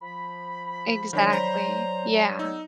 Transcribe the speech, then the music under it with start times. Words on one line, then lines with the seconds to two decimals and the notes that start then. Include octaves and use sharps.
Exactly. Yeah.
0.02 F3 B5
1.13 D#3 F#3 D4 C#5 D5 B6
1.33 C5 A#5
2.39 G#3 B3 D#4 E6